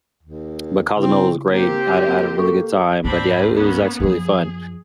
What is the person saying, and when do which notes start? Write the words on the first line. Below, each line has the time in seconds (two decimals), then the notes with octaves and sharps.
but Cozumel was great. I had I had a really good time, but yeah, it it was actually really fun.
0.23 D#2
0.97 C#3 C4 E4
1.50 A#3 C4 G4
2.00 A#3
2.38 A#3 A4 C#6
3.05 D2 G#2 C4 D4 B5
3.56 A#3 B3 C#4
4.00 F#2 F3 G#4